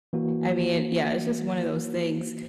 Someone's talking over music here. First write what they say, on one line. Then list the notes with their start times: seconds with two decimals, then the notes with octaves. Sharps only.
I mean, yeah, it's just one of those things,
0.13 E3 A#3 F#4